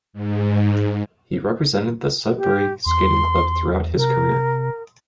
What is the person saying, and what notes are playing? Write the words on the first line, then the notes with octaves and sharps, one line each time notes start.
He represented the Sudbury Skating Club throughout his career.
G#2
G4
E2 C6
C3 A#4